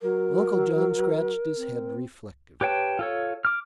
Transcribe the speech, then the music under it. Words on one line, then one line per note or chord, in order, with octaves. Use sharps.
Uncle John scratched his head reflectively.
F#3 A#4
C4
G4 B4 C#5 G5 A5
F4 A4 C#5
D6 F6